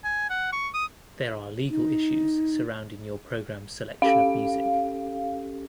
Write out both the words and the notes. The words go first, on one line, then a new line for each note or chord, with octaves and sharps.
There are legal issues surrounding your program's selection of music.
G#5
F#5
C#6
D#6
D#4
C#4 G4 A4 F5